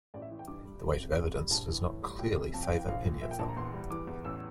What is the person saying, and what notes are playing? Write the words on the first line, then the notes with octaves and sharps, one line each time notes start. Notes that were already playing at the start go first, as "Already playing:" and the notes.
The weight of evidence does not clearly favor any of them.
A1 D5
E5
E3
G5
G2 D6
G3
G1
C3
F2
G3
A#1 A5
E3
A2
G3
F1 G5
C3
F2 A5
G5
E3 F5
G5
A#1 F5
F3
A#2 E5
G5
A#1 A5
A#5
E2 C6
G3
E3 D6
E2
A1 E6